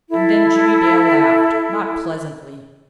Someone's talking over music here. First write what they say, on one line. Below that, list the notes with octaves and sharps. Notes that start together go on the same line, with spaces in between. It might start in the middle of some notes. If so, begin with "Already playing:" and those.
And then Jimmie Dale laughed--not pleasantly.
E4 A4